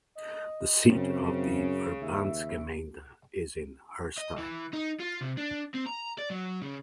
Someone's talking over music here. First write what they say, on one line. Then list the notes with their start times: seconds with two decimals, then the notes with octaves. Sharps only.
The seat of the "Verbandsgemeinde" is in Herrstein.
0.15 D#5
0.89 F#2 C#3 C4
2.01 D#2 E5
4.18 D#5
4.38 E3
4.73 D#4
5.00 F4
5.21 C3
5.37 D4
5.74 C4
5.86 A#5
6.19 D5
6.31 F#3
6.62 C#3